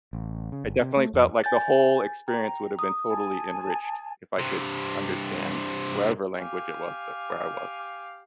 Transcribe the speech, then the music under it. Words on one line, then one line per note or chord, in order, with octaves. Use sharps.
I definitely felt like the whole experience would have been totally enriched if I could understand whatever language it was that where I was.
A1
C#3
G1
C3
A3
F2
G#5 G6 A6
G5 A#5
D#6
G#5 A5
G2 C3
G4 F5 G#5